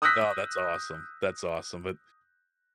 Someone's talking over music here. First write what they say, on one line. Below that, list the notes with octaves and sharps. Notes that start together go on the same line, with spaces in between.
Oh, that's awesome, that's awesome, but
D#6 E6 F#6 G6 A#6 B6